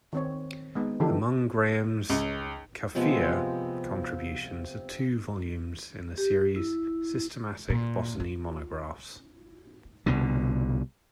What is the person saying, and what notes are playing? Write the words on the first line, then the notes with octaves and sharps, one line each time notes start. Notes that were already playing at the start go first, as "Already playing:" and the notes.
Among Graham's "Cuphea" contributions are two volumes in the series "Systematic Botany Monographs".
D#3 C4 C#5
G#3 B3 D#4
D3 E3 F3 D#4 G4 A4
C#2
C3 F3 G#3 B3
G4
E4
A#2
F4
C2 B2 D3